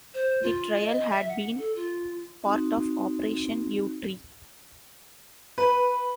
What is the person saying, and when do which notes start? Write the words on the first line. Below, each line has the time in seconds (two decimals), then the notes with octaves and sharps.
The trial had been part of Operation Yewtree.
0.14 C5
0.43 F4
0.80 D#5
1.10 E5
1.29 F#5
1.58 A4
1.76 F4
2.44 C4 D#4 F#4 C6
5.58 B4